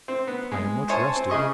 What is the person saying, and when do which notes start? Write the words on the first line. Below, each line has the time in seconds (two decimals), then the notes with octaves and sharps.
I am much rested.
0.08 C4
0.27 B3
0.52 G#3
0.89 C5 C#5 G#5 A5 C#6
1.16 C4
1.30 C#3 G#4 D#5 C#6